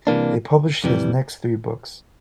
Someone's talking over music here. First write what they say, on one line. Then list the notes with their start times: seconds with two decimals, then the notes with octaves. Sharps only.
They published his next three books.
0.07 C2 C3 E3 A#3 D4
0.84 F2 C3 E3 G3